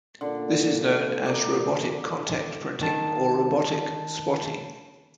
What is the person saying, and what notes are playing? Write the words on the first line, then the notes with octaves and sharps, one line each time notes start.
This is known as robotic contact printing or robotic spotting.
A#2 D3
D5 A#5
D#3 A5